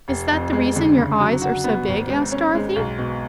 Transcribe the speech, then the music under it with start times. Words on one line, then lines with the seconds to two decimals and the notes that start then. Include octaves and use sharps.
"Is that the reason your eyes are so big?" asked Dorothy.
0.08 F1
0.31 F2
0.53 G#3
0.76 D3
0.98 C#3
1.20 F#3
1.42 F#4
1.64 B3
1.88 G#1
2.10 G#2
2.31 C#4
2.55 G#3
2.76 B1
2.98 B2